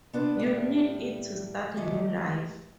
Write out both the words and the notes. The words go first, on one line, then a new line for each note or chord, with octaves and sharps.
You'll need it to start a new life.
B3 D4 B4 C5
A2 G3
D#3 G#3 A3 G4